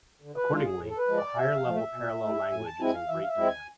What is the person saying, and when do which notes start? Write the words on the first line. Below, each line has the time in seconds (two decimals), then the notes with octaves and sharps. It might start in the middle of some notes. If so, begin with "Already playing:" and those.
Accordingly, a higher-level parallel language is in great demand.
0.22 D3
0.36 B4
0.50 G#3 D4 F4
0.65 G#4
0.79 A2
0.90 A4
0.98 B4
1.07 F3 G#3
1.17 D5
1.36 C3 E5
1.56 F5
1.65 F3 A3
1.75 E5
1.93 B2
2.22 A3 E4
2.51 A2 G#5
2.66 A5
2.80 G#3 C4 E4 G#5
2.94 F5
3.08 E3 E5
3.23 F5
3.28 E5
3.37 G#3 C4 E4
3.47 G#5